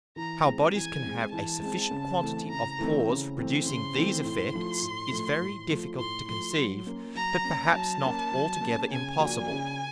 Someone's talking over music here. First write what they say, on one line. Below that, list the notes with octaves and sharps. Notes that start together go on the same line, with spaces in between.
How Bodies can have a sufficient quantity of Pores for producing these Effects is very difficult to conceive, but perhaps not altogether impossible.
E3 A#5
G#3 C4
E3 G#5
G#3 C4
E3 A5
G#3 C4
C#3
E3 A3 C4
C#3 A#5
E3 A3 C4
C#3
E3 A3 C4
C#3 C6
E3 A3 C4
A2 C6
F3 A3
A2
F3 A3
A2
F3 A3
A2 C6
F3 A3 C6
F#3
A#3 C#4
F#3 A#5
A#3 C#4
F#3 A5
A#3 C#4
F#3
A#3
C#4
C#3 G#5
F3 A#3 D4 F#4
C#3